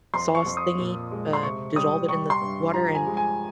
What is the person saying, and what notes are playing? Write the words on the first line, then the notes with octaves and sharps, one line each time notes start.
sauce thingy, uh, dissolve it in the water, and
F2 C6
C#6
F2
D#6
A#2
G#3
C6
C3 C#6
G3 D#6
G3 C#6
C6
G2
F3 A#5
G#5
G#3
G#5